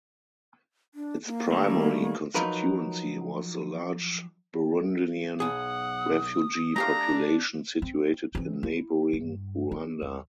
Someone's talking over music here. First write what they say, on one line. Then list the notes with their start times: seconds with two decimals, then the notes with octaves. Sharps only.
Its primary constituency was the large Burundian refugee population situated in neighboring Rwanda.
0.95 D4
1.26 A#3
1.52 D#3 G3 A3
2.35 F3 F#3 D#4 A#4 B4
5.40 B1 G#4 F#5 D#6
6.76 A3 D4 G4 F5 A#5
7.82 C4
8.35 E3 C4
8.63 E4
9.13 G2
9.72 D#4
10.02 D#2